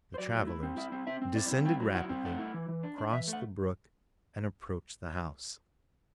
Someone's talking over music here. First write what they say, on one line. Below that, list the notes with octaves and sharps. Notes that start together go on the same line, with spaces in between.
The travelers descended rapidly, crossed the brook, and approached the house.
C5
F#3 D5
A3
E4
C4
E4 E5
C4
C4 E5
C4
E4 D5
C4
E4 G5
F#3
E4 F#5
C4
A3 F#5
E4
E3
E3
D4
D4
E3 E5
A3
F#5